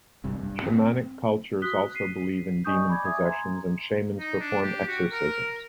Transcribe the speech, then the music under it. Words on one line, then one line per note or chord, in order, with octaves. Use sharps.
Shamanic cultures also believe in demon possession and shamans perform exorcisms.
G#1 G2 C3
G2
C4
F#4 D#6 F#6 B6 G7
B6 C7 D#7
D5 D#5 G#5 C#6 D#6 G6
G#5 B5 D6 G#6
E5 G#5 D6 D#6 G#6
A#5 C6 G#6
D#4
D4
G4
F#4
A#4